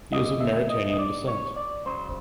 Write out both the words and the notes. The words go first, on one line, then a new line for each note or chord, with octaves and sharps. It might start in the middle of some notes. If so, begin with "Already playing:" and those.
He is of Mauritanian descent.
F2 D3 F#3 D#5
E5
D#5
D#5
D5
C#5
D5
C#2 C#3 F#3 C5